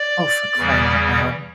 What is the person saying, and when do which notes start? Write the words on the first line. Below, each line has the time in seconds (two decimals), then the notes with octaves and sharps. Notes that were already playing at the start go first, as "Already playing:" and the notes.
Oh, for crying out loud.
Already playing: D5
0.57 E2 C#3 E3 G3